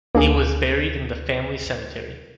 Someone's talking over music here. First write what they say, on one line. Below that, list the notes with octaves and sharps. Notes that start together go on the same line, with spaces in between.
He was buried in the family cemetery.
D2 A#3 D4 G#4